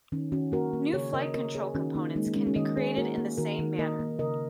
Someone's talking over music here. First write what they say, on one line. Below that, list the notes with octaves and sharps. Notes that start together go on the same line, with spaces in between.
New flight control components can be created in the same manner.
D#3 C#4
D#3 C#4 F#4
A#3 F#4 A#4
A#3
C#3 G#4 C#5
C#3 A#4 D#5
A#3 A#4 D#5
A#3 G#4 C#5
D#3 C#4 F#4
D#3 A#3 D#4
G#3 A#3 D#4
A#3
G#3 C#4
C#4 F#4
D#3 A#4 D#5
D#3 G#4 C#5
A#3 F#4 A#4
A#3
D#3 F#4 A#4
D#3
A#3 A#4 D#5
A#3
C#3 A#4 D#5